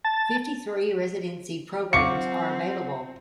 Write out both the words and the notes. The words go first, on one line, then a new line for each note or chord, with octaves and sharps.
Fifty-three residency programs are available.
A5
F#3 C4 F4 F5 F#5 C#6 D6 C#7